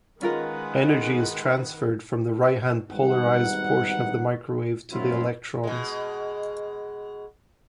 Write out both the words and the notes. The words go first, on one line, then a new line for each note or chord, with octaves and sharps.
Energy is transferred from the right-hand polarized portion of the microwave to the electrons.
D#3 G#3 C#4 F4 A#4 B4 F#5
G#1 G3 B3 D#4 F#5
F#2 A2 F3 F#3 E4 F4
B2 G#3